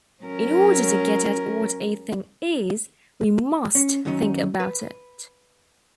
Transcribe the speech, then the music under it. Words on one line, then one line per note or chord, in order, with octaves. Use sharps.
In order to get at what a thing "is", we must think about it.
F#3 C#4 A#4
C#4
F#2 D#3 F#3 C#4 D#4
B4